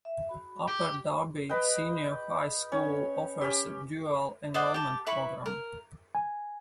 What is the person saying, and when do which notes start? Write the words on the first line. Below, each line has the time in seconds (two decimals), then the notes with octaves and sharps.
Upper Darby Senior High School offers a dual enrollment program.
0.05 E5
0.29 F#4 B5
0.68 G4 G#4
1.49 B4 D#5 G5
2.72 C#4 C#5
3.41 C#4 G4
4.54 C5 D5 D#5 F#5
4.74 G4 A5
5.07 E4 B4 B5 C#6
5.46 A#4
6.15 G#5